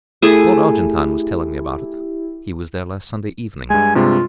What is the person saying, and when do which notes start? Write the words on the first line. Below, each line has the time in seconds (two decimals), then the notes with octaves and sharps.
Lord Argentine was telling me about it; he was there last Sunday evening.
0.22 A3 E4 G4 G#4
3.70 G2 G#3 G#5
3.95 G2 C3 G#3 F4